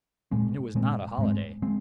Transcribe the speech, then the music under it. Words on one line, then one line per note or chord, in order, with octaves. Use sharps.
And it was not a holiday.
A#2 G#3 C4
A#2 G#3 C4
G#2 G#3 C4
G#3 C4